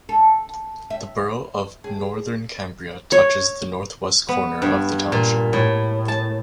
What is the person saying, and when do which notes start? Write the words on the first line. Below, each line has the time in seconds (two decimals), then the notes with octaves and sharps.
The borough of Northern Cambria touches the northwest corner of the township.
0.09 A4
0.90 E5
1.84 G#4
3.12 C#5
4.28 B3
4.62 G2
5.12 A#2
5.53 A2
6.08 A5